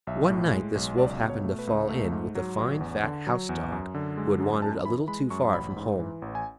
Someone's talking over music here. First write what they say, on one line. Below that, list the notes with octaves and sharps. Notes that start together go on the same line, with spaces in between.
One night this Wolf happened to fall in with a fine fat House Dog who had wandered a little too far from home.
B1 E5
A2
G#3
B1
C#2 D5
B2
C#5
A3
B4
C#2
A3
G#2
F#3
A1
E2
D3
F#3
E2
F#2
D3
G#3
F#2
F#2 A5
E3 B5
G#3 B5
F#2 C#6
A1 B5
G#2
E3
A1
G#5